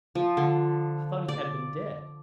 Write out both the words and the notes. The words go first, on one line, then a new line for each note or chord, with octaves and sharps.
I thought he had been dead!'
F3
D3
D5